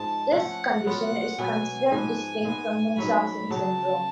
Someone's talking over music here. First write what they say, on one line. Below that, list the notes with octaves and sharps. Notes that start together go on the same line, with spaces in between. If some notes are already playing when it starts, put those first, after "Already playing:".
This condition is considered distinct from Munchausen syndrome.
Already playing: G#2 F3 G#3 A5
F3 A3 C#4 F#5
F#3 B3 F4 F#5
B2 F#3 B3 F#4 G#5
G#2 F3 B3 F#4
G#2 G#3 B3
G#2 F#3 C#4 F#4 B5
C#3 F#3 B3 A5